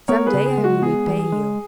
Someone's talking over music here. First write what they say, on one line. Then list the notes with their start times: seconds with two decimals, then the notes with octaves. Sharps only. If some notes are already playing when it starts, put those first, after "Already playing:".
"Some day I will repay you."
0.08 B3 A#4 C#5
0.26 G#4 B4
0.33 C#3
0.46 G#4
0.58 G#3
0.64 F#4
0.82 B3 G#4
1.07 E3
1.19 G#4
1.32 G#3